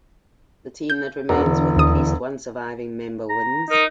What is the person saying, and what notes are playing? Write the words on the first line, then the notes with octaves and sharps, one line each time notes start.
The team that remains with at least one surviving member wins.
G6
E1 D4 F#4 A#4
D3 E3
D#2 D#6
A#5
D#4 A#4